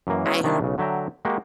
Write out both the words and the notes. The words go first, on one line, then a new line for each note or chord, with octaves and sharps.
I her
F#2 E3 A#3
G#3 B3 C#4 E4 F#4 D#5
C3 D#3 A#3 D4 E4
B1 C#3
D3 F#3 E5 G5 A#5
G#3 A#3 F#4 G4